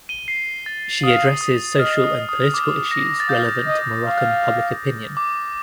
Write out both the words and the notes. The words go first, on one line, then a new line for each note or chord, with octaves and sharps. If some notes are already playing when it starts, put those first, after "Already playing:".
She addresses social and political issues relevant to Moroccan public opinion.
D#7 G7
C7
A6
F5 D#6
D#6
D#5 F6
D#6
D#6
D6
A#6
A6
F5 G6
D#5
F5
D6